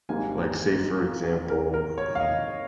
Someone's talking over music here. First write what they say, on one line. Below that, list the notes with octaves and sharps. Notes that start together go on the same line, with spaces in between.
like, say, for example, um
G#1 G#2 G3 A#3 G#5
A#4
A#4
C#5
F5
D#5